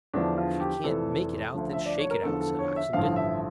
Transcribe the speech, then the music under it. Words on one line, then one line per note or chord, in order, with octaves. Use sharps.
"If you can't make it out, then shake it out," said Oxenden.
E2 D3 F3 D4
F4
G4
F1 F2 E3 A4
D2 D3 F3
E5
D5
C#5
A#4
E2 D3 F3 A4
A4
C#5
E5
A1 G2 D3 F3 F5
E5